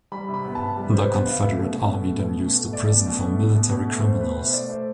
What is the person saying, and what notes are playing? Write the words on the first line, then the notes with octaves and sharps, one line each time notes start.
The Confederate Army then used the prison for military criminals.
G3 B5
C3
B5
B3
A5
C3
G3
B4
C3 C5
B3 B4
C3 F5
A3 E5
B2
B2
A3
A3
B2
B2
A3
A3 D5
B2
B2
A3
A3
B2
B2
A3
A3 C5
B2 B4
B2 C5
E5
A3 D5
A3 C5